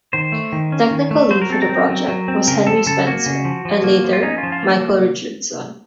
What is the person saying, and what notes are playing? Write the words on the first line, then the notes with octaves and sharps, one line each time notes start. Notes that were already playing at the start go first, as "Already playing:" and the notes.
Technical lead for the project was Henry Spencer, and later Michael Richardson.
D#3 C5
A3
D#3
C#4
D#3
A3
F#3 C5
A#4
C4 A4
A#4
C4
F#3
F#3
C4
C#3 A#4
F3 A4
C#3 A4
A#3 F#4
C#3
F3
F3
A#3
F3
F4
C#4 D#4
F4
F3
F4
A#3